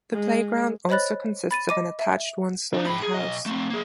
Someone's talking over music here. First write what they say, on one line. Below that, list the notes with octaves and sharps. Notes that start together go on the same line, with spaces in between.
The playground also consists of an attached one-story house.
G#3
C5 C#5 D#5 B5 F#6 A6
B5 A6 D#7
D#5 D6 D#7
E5
D4 D#4
G#2 B5
G#4
B1 D#5
A3 C4
A#3 G#4